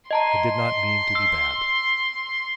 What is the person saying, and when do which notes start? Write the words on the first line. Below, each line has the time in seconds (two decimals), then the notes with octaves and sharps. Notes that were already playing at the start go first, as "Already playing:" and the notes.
I did not mean to be bad.
0.11 D#5 A5 A#5 C6
1.15 E6 C7